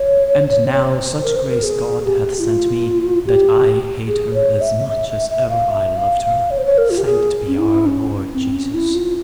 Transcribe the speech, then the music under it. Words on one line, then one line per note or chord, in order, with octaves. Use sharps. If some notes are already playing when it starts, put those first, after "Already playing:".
And now such grace God hath sent me, that I hate her as much as ever I loved her, thanked be our Lord Jesus!
Already playing: C#5
C#5
C5
A#4
C5
A#4
G#4
G4
E4
F4
G4
G#4
C#5
E5
E5
E5
E5
F5
E5
F5
F5
C#5
C5
C#5
A#4
F4
G4
G#4
C#4
E4
C#4
C4
C#4
E4
F4